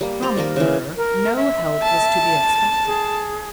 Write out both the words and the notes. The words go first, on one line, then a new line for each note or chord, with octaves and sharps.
From her no help was to be expected.
G3 A#3
C5 D5 A#5
D#3 G3 A#3 A#4
C#3 E3
A#4
E5
A5
G#4